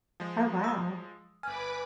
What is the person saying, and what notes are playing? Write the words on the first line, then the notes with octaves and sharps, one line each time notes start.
Oh wow.
F3 G#3
D#6 E6
G1 B4 G#5 B5 D6 F6